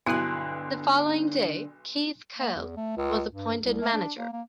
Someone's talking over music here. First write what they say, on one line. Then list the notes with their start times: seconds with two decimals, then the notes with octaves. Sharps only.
The following day Keith Curle was appointed manager.
0.06 B1 G2 D3 E4 F#4 G#5 C6 F#6
2.38 A#3
2.56 E2
2.77 A3
2.97 C#2
3.32 G2
3.62 C2
3.82 A3
3.93 D4
4.18 A#3
4.33 A#3